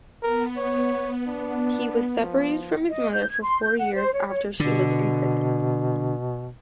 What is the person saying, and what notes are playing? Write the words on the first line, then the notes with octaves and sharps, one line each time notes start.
He was separated from his mother for four years after she was imprisoned.
B3 A#4
C#5
D4
F3
D#5
G6
G#6
C6
G6
F#5
C5
C#5
C#5
B2 D3